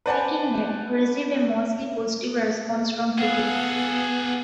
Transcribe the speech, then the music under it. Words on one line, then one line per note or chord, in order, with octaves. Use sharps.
"Waking Ned" received a mostly positive response from critics.
B4 C5 D5 F#5 G#5 A5
B3 G#4 A4 F5 F#5